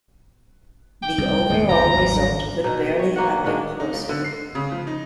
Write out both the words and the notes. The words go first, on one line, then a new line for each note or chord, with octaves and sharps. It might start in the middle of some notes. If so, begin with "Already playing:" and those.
The overall result could barely have been closer.
G5
C2
D#2 G#2 C3
G1 D#2 D#3 A#5
G#1 F#3 G3
B2 D#4
D#5
C#5
A#3 F#4 F#5
G#3 A#3 D4 F#4
D#4
C#2
D3
C7
C#3
F3
D#4